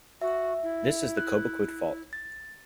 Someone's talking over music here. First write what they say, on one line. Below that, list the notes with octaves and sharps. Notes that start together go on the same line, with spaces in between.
This is the Cobequid Fault.
F#4 E5
E4
F#6
A6